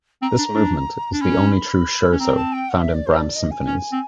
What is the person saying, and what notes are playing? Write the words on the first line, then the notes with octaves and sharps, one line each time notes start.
This movement is the only true scherzo found in Brahms' symphonies.
C4 A#5
D4
D4
D4
C#4 B5
A#5
B5
C#4
C4 A#5
A5
G5
F#5
E5
D5
C5
D5
D#5
G#5
C#4
C4